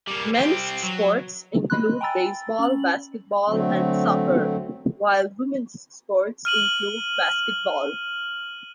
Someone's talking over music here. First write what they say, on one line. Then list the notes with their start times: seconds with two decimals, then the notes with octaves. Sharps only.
Men's sports include baseball, basketball and soccer; while women's sports include basketball.
0.07 G3 A#3
0.35 G3 C4
0.82 F#3
1.70 D#5 B5 C6 F#6
2.01 G5 G#5 A#5 B5 E6 A6
2.59 C#4 F#7
3.48 D3 F#3 A3 C4
6.45 F6 D#7 F#7